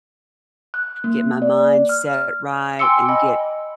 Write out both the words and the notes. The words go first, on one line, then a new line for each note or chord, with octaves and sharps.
get my mind set right and get,
F#6
A#3
D5
F6
G5 G#5 C6 D6 E6 C#7
D#5 G#5 B5